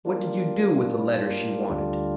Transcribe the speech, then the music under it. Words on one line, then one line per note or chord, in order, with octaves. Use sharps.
"What did you do with the letters she wanted?"
G3 A#3 D4 F4
D2 D3 G3 D4 F4